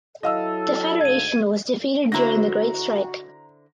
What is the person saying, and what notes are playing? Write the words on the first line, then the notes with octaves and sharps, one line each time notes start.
The Federation was defeated during the Great Strike.
F#3 E4 A4 D#5 F5 E6
D2 G#2 D3 G#6 D#7
D3 E4 F#4 C5 A#5 A#6